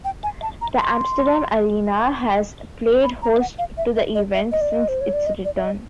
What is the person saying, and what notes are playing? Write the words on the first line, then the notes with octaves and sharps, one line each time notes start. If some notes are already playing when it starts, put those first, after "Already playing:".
The Amsterdam Arena has played host to the event since its return.
G5
G#5
A5
A#5
C6
B5
A#5
F#5
F5
E5
E5
D#5
E5
D#5
D5
D#5
C5
C#5
D5
D#5
D5
E5
D#5